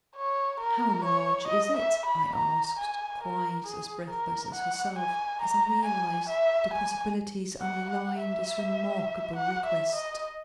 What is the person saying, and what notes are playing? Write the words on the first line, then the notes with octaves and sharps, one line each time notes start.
"How large is it?" I asked, quite as breathless as herself, as I realized the possibilities underlying this remarkable request.
C#5
A#4
C#5
D#5
E5
B5
A#5
G#5
A#4
G#4
A#4
F#5
G#5
A#5
G#5
E5
G#5
F#5
F#5
E5
F#5
E5
D#5